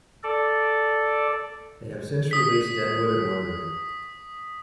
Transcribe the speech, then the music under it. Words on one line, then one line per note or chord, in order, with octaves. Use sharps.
They have since released "Deadwood" and "Wondering".
A4 D5
D#6 B6